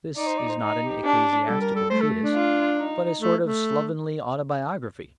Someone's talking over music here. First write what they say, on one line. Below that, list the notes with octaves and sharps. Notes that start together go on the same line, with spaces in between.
This is not an ecclesiastical treatise but a sort of slovenly autobiography.
D#4 D5
C5
D5
C5
D#4
G4
D4
G3 A4
A#4
A4
A3 C5
A4
D4
F4
D#4
A3
A3